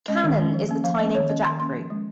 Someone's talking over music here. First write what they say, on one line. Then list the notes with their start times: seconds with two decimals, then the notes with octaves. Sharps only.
Khanun is the Thai name for jackfruit.
0.08 G#3 C#4 D#5
0.24 D#3
0.39 G#3 C#4
0.54 F3
0.69 A#3 C#4
0.84 F3 F5
0.99 A#3 D#5
1.03 C#4
1.14 D#3 C#5
1.29 A#3 C#4 D#5
1.45 D#3 C6
1.60 A#3 C#4 C6
1.75 F3
1.90 G#3 C#4